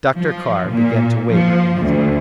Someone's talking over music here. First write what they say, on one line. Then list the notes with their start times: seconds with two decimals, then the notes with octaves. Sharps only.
Dr. Carr began to waver in his mind.
0.16 F3
0.70 A#2
1.31 F3
1.81 D2